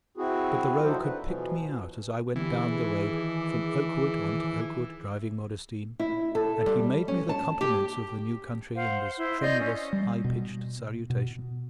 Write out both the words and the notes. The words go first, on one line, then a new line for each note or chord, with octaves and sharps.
But the rogue had picked me out as I went down the road, from oak wood on to oak wood, driving Modestine; and he made me the compliments of the new country in this tremulous high-pitched salutation.
C4 E4 F#4 G#4
D3 F3 F#3 D#4 A4 C5
D3 B4
B2 E3 F3
D3 E3 B3 G4
G#4 B4
D#3 G#4 D6
E4
A4
G3
C#4
A5
G4
C5 F5 F#5
E4 C5
D5 D#5 C6 G6
C#4
G3
B2
B2